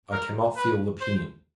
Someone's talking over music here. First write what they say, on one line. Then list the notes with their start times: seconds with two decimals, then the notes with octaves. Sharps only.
I cannot feel the pen.
0.12 A#4
0.56 B4
1.01 C5